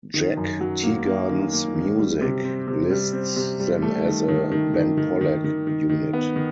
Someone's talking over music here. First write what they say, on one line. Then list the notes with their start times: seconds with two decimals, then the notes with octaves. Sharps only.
"Jack Teagarden's Music" lists them as a "Ben Pollack Unit".
0.14 D#3
0.37 F#2
0.61 F#3
0.83 A#3
1.06 A#3
1.29 D#3
1.53 A#3
1.76 D#3
1.98 G3
2.21 C3
2.44 C4
2.68 C3
2.90 G3
3.13 C4
3.36 C3
3.60 G3
3.82 A3
4.05 D#3
4.28 D#3
4.51 D#3
4.74 D#3
4.98 D#3
5.21 D#3
5.44 D#3
5.67 D#3
5.89 D#3
6.13 B3
6.36 D#3